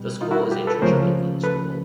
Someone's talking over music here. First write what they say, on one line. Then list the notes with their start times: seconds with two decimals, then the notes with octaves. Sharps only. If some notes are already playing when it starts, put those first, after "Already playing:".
The school is a Church of England school.
Already playing: B2 G3
0.21 D#4 F4
0.31 E4 F#4
0.51 F4 G4
0.67 A4 B4
0.82 C#2 C#3 F3 A3 C#4 A#4 C5
1.43 A4 B4